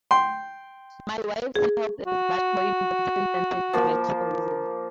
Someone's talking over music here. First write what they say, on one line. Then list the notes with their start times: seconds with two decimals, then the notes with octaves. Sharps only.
My wife's health is much more important than sentimental reasons.
0.11 G5 C6
1.55 G#4
2.07 F#4
3.73 F3 A#3